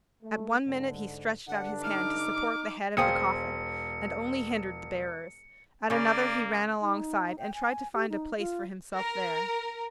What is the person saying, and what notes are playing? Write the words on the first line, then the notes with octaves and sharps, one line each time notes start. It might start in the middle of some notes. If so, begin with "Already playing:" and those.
At one minute he stretched out his hand to support the head of the coffin and only hindered the bearers, at another he ran alongside and tried to find a place for himself there.
A3
G#2 D3
G2 D3 D4 F#5
D#4 D6 F6
E1 G#4 C5 F5 G5 D#6 C#7
C#3 A#3 C#4 D5
D#4
G5
G#5
G4
D#4
F4
A#4